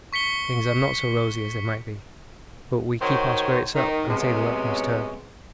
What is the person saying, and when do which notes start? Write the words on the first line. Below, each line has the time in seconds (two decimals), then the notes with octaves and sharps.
Things are not so rosy as they might be, but we keep our spirits up and say the luck must turn.
0.13 C#6 B6 C#7 G7
3.01 D#3 F#4 C5 C#5
3.74 D#3
4.09 C3 F#3 G#3 B3 C#4